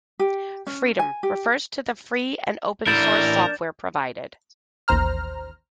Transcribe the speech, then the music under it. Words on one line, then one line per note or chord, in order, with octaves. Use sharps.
"Freedom" refers to the free and open source software provided.
G4
C#4
G#5
G4
A2 E3 D4 A#4 G6 A6 E7
A1 D#2 C5 A#5 F6